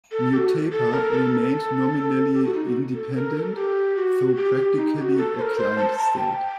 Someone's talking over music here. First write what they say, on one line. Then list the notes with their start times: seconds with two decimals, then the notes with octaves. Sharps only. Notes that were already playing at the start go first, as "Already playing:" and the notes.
Mutapa remained nominally independent, though practically a client state.
0.12 A4
0.32 G4
0.37 F#4
0.72 A4
0.92 A#4
1.12 A4
2.34 G4
2.44 F#4
2.54 D#4
2.64 F#4
2.95 A4
3.15 A#4
3.35 A#4
3.39 A4
3.55 G4
3.96 F#4
4.36 G4
4.56 G4
4.77 D#4
4.97 G4
5.01 F#4
5.18 A4
5.38 C5
5.42 A#4
5.58 C5
5.78 A5
5.98 A#5
6.03 A5
6.18 G5